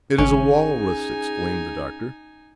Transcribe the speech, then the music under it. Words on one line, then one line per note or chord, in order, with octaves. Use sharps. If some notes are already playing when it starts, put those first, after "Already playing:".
"It is a walrus!" exclaimed the Doctor.
G#1 C#4 D#4 G#4 G#5